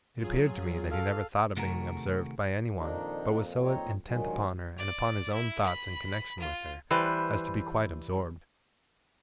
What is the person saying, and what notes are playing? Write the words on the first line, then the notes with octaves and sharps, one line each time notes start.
It appeared to me that he never thought of being observed by anyone; but was so intent upon her, and upon his own thoughts in connexion with her, as to be quite absorbed.
F#3 F4 G#4
A4 F5
C3 D#3 A3 F#4 G#4 A#4
F2 A#2 D#3 D4 D#4
C4 D#4 C#5
G2 A#2 D#3 F#3 G#3
D5
E4
B5
F4
E3 G3 B4 C5